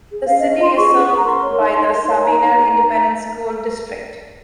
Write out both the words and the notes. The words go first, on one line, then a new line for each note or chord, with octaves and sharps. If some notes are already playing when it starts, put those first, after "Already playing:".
The city is served by the Sabinal Independent School District.
G#4
C#4 F5
D#5
C#4
D#5
F4 C6
G#4 C#6
C#4
C#4
A#5
A#4 C6
C#5
D#4
D#4
A#4
C#5
D#4 A#5
D#4